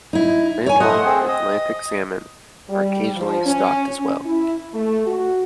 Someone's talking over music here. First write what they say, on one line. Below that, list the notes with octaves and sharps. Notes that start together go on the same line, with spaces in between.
Landlocked Atlantic salmon are occasionally stocked as well.
D#4 E4
C#5 G#5
A3 C5 D#5 F#5
C4 G#4
D#5
G3
F3
C#4
C#4
E4
A3
F#4